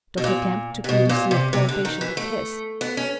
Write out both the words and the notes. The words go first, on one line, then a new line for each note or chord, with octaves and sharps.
"Dr. Kemp took me to see a poor patient of his."
B2
A#2
C3
B2
A#2
C3
C3
D3
D#3
E3
A3
B3
C#4